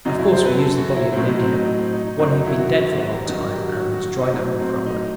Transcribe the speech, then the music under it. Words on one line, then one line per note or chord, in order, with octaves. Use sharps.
Of course we used the body of an Indian, one who had been dead for a long time and was dried up and crumbly.
F#2 F#3 D#4
E4
C5
B4
A4
F#4
E4
A2 F#3 C4
D#4
C4
D#4
D#4
C4
D#4
D#4
F#2 D#3 F#3 C4
D#4
E4
F#4
F#4
E4
F#4
G4
G2 D#3 F#3 D#4
F#4
G4
F#4
F#4
F#4
F#4
D#4
A2 F#3 D#4
C4
D#4